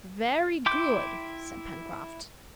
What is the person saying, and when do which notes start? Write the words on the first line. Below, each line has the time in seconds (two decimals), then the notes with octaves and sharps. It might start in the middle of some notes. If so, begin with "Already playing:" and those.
"Very good," said Pencroft.
0.66 E4 G5 C6 D6 G6